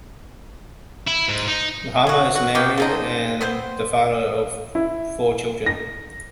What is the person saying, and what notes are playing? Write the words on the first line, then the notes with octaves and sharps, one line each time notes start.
Mahama is married and the father of four children.
E4
G#2
D#4
F#3 F#4
F#4
F#3 A#3 B3 G4
F3 C4 D#4
B3 C4 C5
E4
A#6